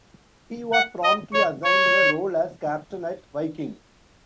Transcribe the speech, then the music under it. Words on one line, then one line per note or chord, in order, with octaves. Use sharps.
He was promptly assigned the role as captain at Viking.
F#5
D#5
C#5
C#5